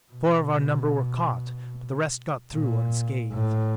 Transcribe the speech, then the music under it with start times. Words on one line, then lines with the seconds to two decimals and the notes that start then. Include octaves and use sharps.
Four of our number were caught, but the rest got through unscathed.
0.12 B2
2.53 A#2
3.33 A2